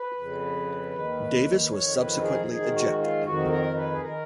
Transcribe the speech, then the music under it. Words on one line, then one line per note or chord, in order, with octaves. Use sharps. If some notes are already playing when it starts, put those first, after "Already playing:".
Davis was subsequently ejected.
Already playing: B4
F2 C#3
D#2 D#3
B4
F2 D#3 C#5
B4
G#4
G#2 D#3 G#4
F#4
F4
F2 D#3 F#4
A#4
B4
G#4
D#3 A#4